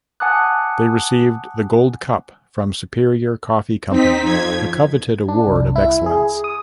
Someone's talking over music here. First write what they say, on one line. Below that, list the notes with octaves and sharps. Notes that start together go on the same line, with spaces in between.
They received the "Gold Cup" from Superior Coffee Company, a coveted award of excellence.
F#5 G#5 A5 D6 D#6 F#6
C4 D#4 B6
F2 G#6
D4
C2
E4
G#4
D#6